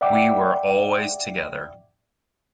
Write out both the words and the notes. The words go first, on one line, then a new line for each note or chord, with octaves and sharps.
We were always together.
D5 E5 F#5 G5 D6